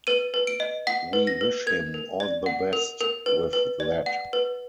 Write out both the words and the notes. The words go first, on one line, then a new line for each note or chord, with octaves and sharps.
We wish him all the best with that.
B4 D#7
B4
D7
D#5
F#5 B6
B4
A#6
B4
A#4 G#6
A#4
D5
F#5
A#4
A#4
B4
B4
D5
F#5
B4